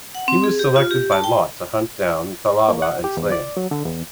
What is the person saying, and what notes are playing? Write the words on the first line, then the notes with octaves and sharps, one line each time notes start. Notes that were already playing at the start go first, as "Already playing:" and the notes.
He was selected by lot to hunt down Thal'aba and slay him.
F#5
C4
G#4
G4
F4
G4
A5
G5
A#3
F#5
G4
E2
D5
F#3
D3
E2